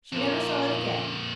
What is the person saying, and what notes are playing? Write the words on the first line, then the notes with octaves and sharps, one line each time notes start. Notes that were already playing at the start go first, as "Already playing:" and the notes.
She never saw it again.
F2 A#2 F4 A#4